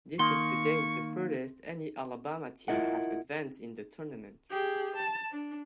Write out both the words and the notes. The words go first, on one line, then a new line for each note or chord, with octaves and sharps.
This is to date the furthest any Alabama team has advanced in the tournament.
D#3 A#3 C6 C#6
E4 F4 A#4 D#5 E5 F#5
G4 G#4
A5
D4